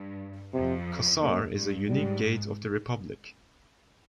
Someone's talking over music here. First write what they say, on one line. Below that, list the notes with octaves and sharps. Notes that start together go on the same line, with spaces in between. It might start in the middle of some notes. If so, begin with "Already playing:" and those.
Qusar is a unique gate of the republic.
Already playing: G2
F2 C3
A#3
G2
G#2 G3